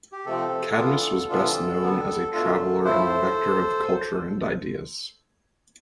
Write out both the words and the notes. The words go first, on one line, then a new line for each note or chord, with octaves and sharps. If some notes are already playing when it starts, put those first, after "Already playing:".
Cadmus was best known as a traveller and vector of culture and ideas.
G4
C3 F3 A3 C4 A4
E3 B3 D4 F4
C3 E3 B3 D4 F4 A4
D3 G3 B3
B2 A3 D4 F4 A4
A2 F3 A3 E4 A4 C5